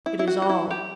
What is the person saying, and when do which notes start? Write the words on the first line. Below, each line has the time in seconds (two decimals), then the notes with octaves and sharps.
It is all.
0.06 E4
0.19 E4
0.27 F#4
0.42 F#4
0.49 E4
0.71 G4